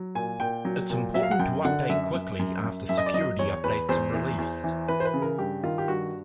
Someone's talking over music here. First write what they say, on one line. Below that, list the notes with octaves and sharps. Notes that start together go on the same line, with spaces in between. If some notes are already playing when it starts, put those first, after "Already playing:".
It's important to update quickly after security updates are released.
Already playing: F#3
A#2 G#5
A#2 G5
F#3
A#2
F#3 E5
F5
F#5
F#2 G5
D3 F#5
F#2 E5
F#2
F#2
F#2
F#2 E5
D#5
D5
F#3 D#5
E2 C#5
E2 B4
E2 C5
E3
E2
E3
E3 B4
C5
B4
C#3
A#4
G2 G4
D#3 F4
G4
G2 F#4